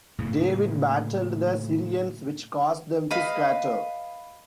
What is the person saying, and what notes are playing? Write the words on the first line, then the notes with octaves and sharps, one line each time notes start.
David battled the Syrians which caused them to scatter.
A2 C#3 A#3
B4 D#5 F5 B5